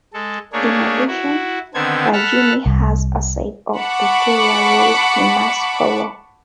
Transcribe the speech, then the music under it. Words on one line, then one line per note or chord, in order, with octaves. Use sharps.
In addition, the Jinni has a set of peculiar rules he must follow.
G#3 A4
A3 A#3 D4 G#4 C#5
E4 F#4
D3 D#3 B3 C4 A4 G#6
A4 F#5 A5 B5 F6 F#6
C2
F#5 A5 B5 C#6 D6